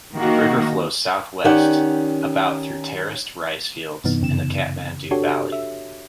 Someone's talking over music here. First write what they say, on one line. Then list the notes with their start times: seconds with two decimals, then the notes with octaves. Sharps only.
The river flows southwest about through terraced rice fields in the Kathmandu Valley.
0.15 D#3 A#3 D#4 F#4
1.44 D#3 C#4 G4 D5 F#5 G5
4.04 G2 C3 E3 B3 D#4
4.22 F#2 C#3 E7
5.11 D4 F#4 G4 A4 C#5
5.52 E5